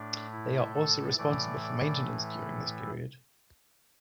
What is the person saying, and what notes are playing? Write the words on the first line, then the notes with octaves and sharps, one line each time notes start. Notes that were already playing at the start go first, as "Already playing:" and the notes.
They are also responsible for maintenance during this period.
Already playing: A2 A3 D4
E4
A4
A2 E3 A3 D5
D5